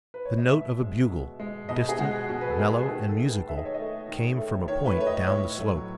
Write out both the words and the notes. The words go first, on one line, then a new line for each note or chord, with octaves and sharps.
The note of a bugle, distant, mellow, and musical, came from a point down the slope.
B4
C#5
D#5
B2 E5
G#3
B2
G#3
B2 D#5
G#4
G#3 F#4
B2 F#4
B4
A4
G#3 G#4
D#3 G#4
A4
A3
B4
D#3 E5
D#5
C#5
A3 D#5
D#3
A3
D#3 C#5
B4
A3 C#5
D#5
A2 C#5
F#3 A3